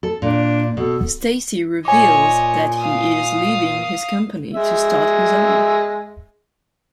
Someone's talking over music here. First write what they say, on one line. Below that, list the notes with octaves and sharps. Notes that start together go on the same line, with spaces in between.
Stacy reveals that he is leaving his company to start his own.
A4
A#2 D4
B2 A4
A#2 C#5 D#5 G#5 D6
F5 D#6
G#3 E5